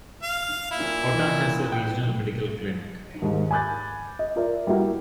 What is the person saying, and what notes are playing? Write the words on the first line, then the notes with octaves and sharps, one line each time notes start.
Otta has a regional medical clinic.
F5
A#2 E4
E3
G5
D#2 G#2
G#5 B5 D6 F#6 G6 A6
D#5
F4 A#4 D5 E5
G3 A#3 E4 F#4 A#4